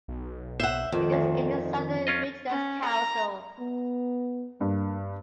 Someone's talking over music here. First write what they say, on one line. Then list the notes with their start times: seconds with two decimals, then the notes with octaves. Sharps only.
It is in the Southern Midlands Council.
0.08 B1
0.60 C5 E5 F#5
0.92 F2 D#3
1.12 D2 D#3
2.07 C#4 F4 D#5
2.49 C#4
2.84 A#5
3.59 B3
4.60 G2 A#3